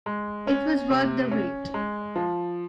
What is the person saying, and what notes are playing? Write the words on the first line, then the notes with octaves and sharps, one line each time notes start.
It was worth the wait.
G#3
C#4
C3
C#4
G#3
F3